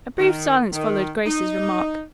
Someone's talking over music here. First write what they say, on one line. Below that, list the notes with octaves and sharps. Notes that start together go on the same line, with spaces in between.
A brief silence followed Grace's remark.
D#3
D#3
D#4